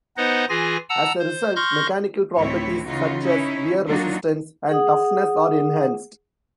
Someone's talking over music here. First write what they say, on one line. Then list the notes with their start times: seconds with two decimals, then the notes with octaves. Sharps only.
As a result, mechanical properties such as wear resistance and toughness are enhanced.
0.17 B3 D#4 B4 C5 D#5 F#5
0.49 E3 F4 G#4 G#5 A#6
0.89 F#5 A5 A#5 E6
1.19 C5
1.56 C6 C#6 F6 G6 A#6
2.37 D2 A2 E3 C4 E4 C#5
2.84 C#3 E3 D#4 F4 F#4
3.23 C#4 D#4 E4 C#5
3.88 F#3 A#3 D4 D#4 F4 F#4
4.69 G#4 F#5 D#6